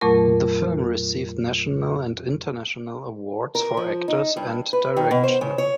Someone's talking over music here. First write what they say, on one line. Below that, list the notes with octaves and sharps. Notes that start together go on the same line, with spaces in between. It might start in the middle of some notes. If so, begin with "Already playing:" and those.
The film received national and international awards for actors and direction.
F2 A#2 F#3 A3 A#4 C#6
A#4
F3
D#4
G2
B4
D#3
B2
C5
C#3
C#5